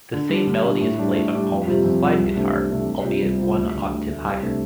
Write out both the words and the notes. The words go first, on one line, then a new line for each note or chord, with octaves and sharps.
The same melody is played on Allman's slide guitar, albeit one octave higher.
D3
G3 D4
D3
G3 D4
A2
G3 D4 G4
A2
G3 D4 G4
F2
C3 G3 F4
F2
C3 G3 F4
C2
C3 A3 D4
C2
C3 A3 D4
C2
C3 G3 F4
C2
C3 G3 F4
D2
D3 A3
D2
D3 A3
C2
C3 A3 D4